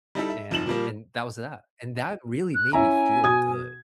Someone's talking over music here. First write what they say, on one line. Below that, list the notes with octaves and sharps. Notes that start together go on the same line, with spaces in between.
and and that was that, and that really made me feel good.
G3 D#4 E4 A4 E5
E5
F1 F3 D#4 E7 F#7
A#2 F3 G3 A#3
F#6
C#4 E4 G#5 A#5
B2 D#6 G#6